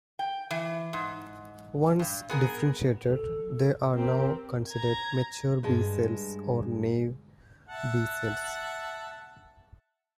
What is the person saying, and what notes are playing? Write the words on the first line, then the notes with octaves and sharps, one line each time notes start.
Once differentiated, they are now considered mature B cells, or naive B cells.
G5
E3
G#2
G2
B3 G#4 A#4
A4
C4 G4 A#4
A#5 G#6
G2 G#3 A5
E5 F#5 A5